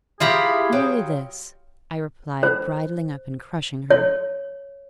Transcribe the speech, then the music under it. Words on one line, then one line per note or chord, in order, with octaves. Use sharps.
'Merely this,' I replied, bridling up and crushing her.
E4 F4 G4 G#4 A#5 B5
F#3 G5
C5
C#5